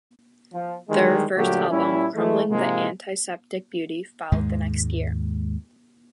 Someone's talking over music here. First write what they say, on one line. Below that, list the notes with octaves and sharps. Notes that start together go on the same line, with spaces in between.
Their first album, "Crumbling the Antiseptic Beauty", followed the next year.
F3
D#3 E3 G3 G#3
A#2 D3 F#3 G3 A3 G4
A#2 G3 C#4 E4
E3 G#3 A3
G#2 C3 F3 G#3 A#3
D#2 G#2 G#3